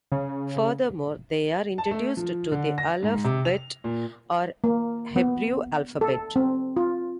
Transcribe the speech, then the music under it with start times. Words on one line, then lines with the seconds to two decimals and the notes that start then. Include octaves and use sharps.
Furthermore, they are introduced to the Aleph-Bet or Hebrew alphabet.
0.12 C#3
1.78 A5
1.91 A3
2.17 F3
2.52 D3
2.78 A#6
3.03 G#2
3.24 C3
3.45 F7
3.84 A#2
4.64 A#3
5.16 B3
6.01 A4
6.36 C4
6.77 F4